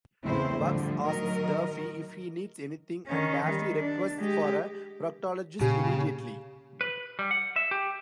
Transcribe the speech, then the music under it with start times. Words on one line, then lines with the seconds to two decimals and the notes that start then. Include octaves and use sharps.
Bugs asks Daffy if he needs anything and Daffy requests for a proctologist immediately.
0.24 E2 A2 C#3 C4 E4 C5
0.59 A2 D3 F3 G3
1.04 D#3 F#3 A#4 D#5
3.07 D#3 C#4
3.46 D#3 G3
3.76 D4
4.19 G#3 G4
5.61 A#2 C#3 G4
6.81 B4
7.19 G3
7.31 F#5
7.56 E5
7.71 G4